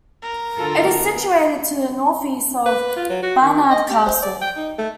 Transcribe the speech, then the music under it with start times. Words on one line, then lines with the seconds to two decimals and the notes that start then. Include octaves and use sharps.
It is situated to the north east of Barnard Castle.
0.22 A#4
0.57 D3 F4 A4
0.87 B3
2.66 B4
2.96 F4
3.09 F#3
3.22 F#4
3.41 D#3
3.70 D#5
3.89 G4
4.06 C5
4.22 D5
4.41 G5
4.56 D#4
4.78 A3